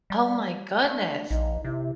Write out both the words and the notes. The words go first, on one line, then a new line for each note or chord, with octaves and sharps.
Oh my goodness.
G3
A3 D4
A#1 D#4
C3 E4